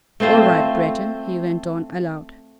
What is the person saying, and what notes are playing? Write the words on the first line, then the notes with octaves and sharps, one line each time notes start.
"All right, Breton," he went on aloud.
A3 C4 F4 C5